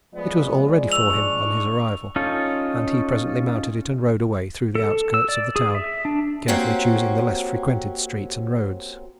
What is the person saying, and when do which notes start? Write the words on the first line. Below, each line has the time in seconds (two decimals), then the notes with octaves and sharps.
It was all ready for him on his arrival, and he presently mounted it and rode away through the outskirts of the town, carefully choosing the less frequented streets and roads.
0.15 F3 G#3 B3 D5
0.92 D4 C#6 E6 F7 F#7
2.16 C#4 D#4 F4 A4
4.75 A4
5.14 E6
5.29 D5
5.56 G#4
5.75 E5
6.05 D4
6.48 A#3 C4 C#4 F#4 G4